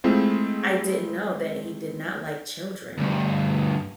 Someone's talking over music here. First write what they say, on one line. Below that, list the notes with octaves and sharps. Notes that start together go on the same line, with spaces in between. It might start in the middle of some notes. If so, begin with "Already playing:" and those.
I didn't know that he did not like children.
G#3 A3 C4 E4 F4
D2 G2